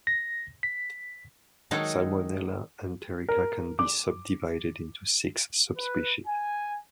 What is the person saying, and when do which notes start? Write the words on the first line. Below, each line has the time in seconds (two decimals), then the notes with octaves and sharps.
"Salmonella enterica" can be subdivided into six subspecies.
0.07 A#6
0.63 B6
1.71 D#3 F#3 G#3 D#4 A4
3.29 A#4
3.79 D6
5.77 B4
6.27 G#5